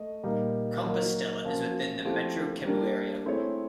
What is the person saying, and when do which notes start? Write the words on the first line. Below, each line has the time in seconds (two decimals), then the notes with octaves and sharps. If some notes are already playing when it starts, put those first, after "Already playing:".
Compostela is within the Metro Cebu area.
Already playing: A3 D#5
0.23 A#2 G3 A#3 D#4
0.84 F#3 A#3 D#4
1.45 F3 A#3 C#4 F#4
2.05 F3 A3 C4 E4 G4
2.65 G3 A#3 D4 G4
3.25 A3 C4 E4 G#4 C#5